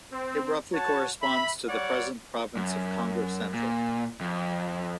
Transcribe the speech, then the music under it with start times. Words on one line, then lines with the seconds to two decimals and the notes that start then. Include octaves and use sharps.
It roughly corresponds to the present province of Kongo Central.
0.12 C4
0.73 F#4 C#5 A5
1.21 E5 B5
1.68 G3 C#5 D5 F#5
2.57 F#2
3.54 A#2
4.21 F2